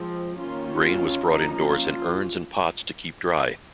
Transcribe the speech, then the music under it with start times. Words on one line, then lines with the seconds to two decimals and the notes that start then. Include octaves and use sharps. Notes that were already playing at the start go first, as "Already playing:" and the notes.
Grain was brought indoors in urns and pots to keep dry.
Already playing: F3 G#3 C4
0.38 D#3 A#3 C#4 F4
0.81 F4
1.25 F3 A#3 C#4 D#4
1.69 F4